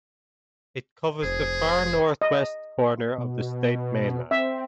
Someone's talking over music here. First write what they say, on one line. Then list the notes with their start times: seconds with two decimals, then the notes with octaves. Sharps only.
It covers the far north-west corner of the state mainland.
1.23 F1 G#4 C5
2.22 D#5
3.18 B2
4.31 C4 E5